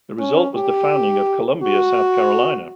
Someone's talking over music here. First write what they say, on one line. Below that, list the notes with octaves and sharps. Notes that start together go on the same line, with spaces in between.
The result was the founding of Columbia, South Carolina.
C#4
G4
F#4